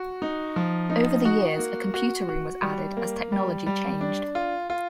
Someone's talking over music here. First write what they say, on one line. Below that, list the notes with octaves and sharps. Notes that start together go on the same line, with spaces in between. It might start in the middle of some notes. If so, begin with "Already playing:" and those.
Over the years, a computer room was added as technology changed.
Already playing: F#4
D#4
F3
D#4
F#4
A#3
F#4
F#4
G3
A#3
G3
G3
D4
F4
F4